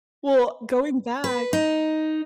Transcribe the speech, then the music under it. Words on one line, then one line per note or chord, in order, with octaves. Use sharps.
Well, going back
B4
D#4